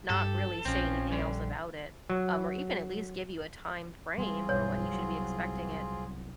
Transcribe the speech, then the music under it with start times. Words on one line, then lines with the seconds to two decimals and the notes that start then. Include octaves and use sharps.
not really say anything else about it, um, or even at least give you a time frame for when you should be expecting it.
0.10 G2 G4 A4
0.65 A#1 F3 C4 C#4
1.11 G2 D3
2.10 F#3
4.18 G3 G#3 C4 F4 G#4
4.49 B1 G2 C#5
4.88 C2 F#3